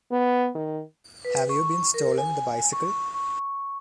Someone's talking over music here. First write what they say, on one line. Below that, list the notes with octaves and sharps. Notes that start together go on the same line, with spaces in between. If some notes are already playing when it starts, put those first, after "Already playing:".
Have you been stolen the bicycle?
B3
D#3
B4
C#6
A#4
G#5
C#6
C#6